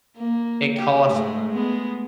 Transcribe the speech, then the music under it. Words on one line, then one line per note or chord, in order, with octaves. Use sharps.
it costs
A#3
G4
G#2 G#3 A3
G#3 B3